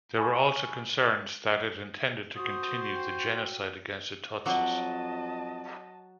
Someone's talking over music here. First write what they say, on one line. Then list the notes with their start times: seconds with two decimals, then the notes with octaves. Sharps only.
There were also concerns that it intended to continue the genocide against the Tutsis.
0.18 G#5 B5 C#6
2.36 F#4 C5 D#6
2.94 G5
4.46 F2 F#3 C#5 D#5 F#5 A5 D6